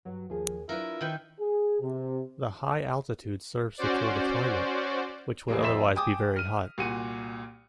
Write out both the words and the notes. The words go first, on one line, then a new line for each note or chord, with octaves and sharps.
The high altitude serves to cool the climate, which would otherwise be very hot.
G2 F#3 F#4
D#2 F3 G#4
F#3 D4 E4 F4 A#4 B4
D#3 B4 G5
G#4
C3
C#4 F#4 C5 D5
E2 C3 G3 G#3 A#3
F2 C5 E5 B6 E7
G5 G#5 D6 D#6
F6 D#7
C2 A#2 F#4 C#7 D#7